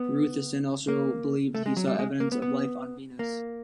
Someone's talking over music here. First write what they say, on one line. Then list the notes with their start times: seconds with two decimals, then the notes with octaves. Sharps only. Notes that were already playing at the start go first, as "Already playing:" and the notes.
Gruithuisen also believed he saw evidence of life on Venus.
Already playing: B3
0.88 A#3
1.55 A3
1.66 G#3
1.77 F#3
1.87 G3
1.99 G#3
2.20 A#3
2.32 B3
2.42 B3
3.19 A#3